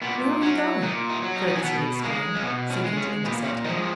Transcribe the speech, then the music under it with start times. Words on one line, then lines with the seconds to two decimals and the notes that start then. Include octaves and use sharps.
"Where are you going?" Ferguson exclaimed, seeking to intercept her.
0.02 A#2 B3
0.42 F#3 C#4
0.82 A#2 D#4
1.09 D#4
1.22 F#3
1.36 D#4
1.47 D#4
1.55 C#4
1.63 B2 B3
2.03 G#3 A#3
2.35 C#4
2.43 B2 B3
2.70 C#4
2.84 G#3
2.97 C#4
3.24 A#2 B3
3.44 C#4
3.64 F3 G#3 D#4